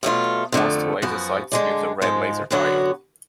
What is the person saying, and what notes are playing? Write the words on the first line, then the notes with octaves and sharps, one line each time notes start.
Most laser sights use a red laser diode.
B2 F#3 A3 F4
F2 D3 F3 A3
F#2 F3 B3 F#4
D3 G#3 D4
G#2 F3 G#3
F#2 D3 F#3 B3 F#4